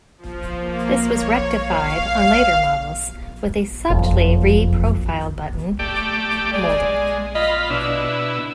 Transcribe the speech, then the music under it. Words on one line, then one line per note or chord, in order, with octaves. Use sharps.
This was rectified on later models with a subtly re-profiled button moulding.
F3
A#3
C#5
F5
F#1 F2
A3 G4 D5
G#3 D5
F4 D#5 B5
B2 D4 E4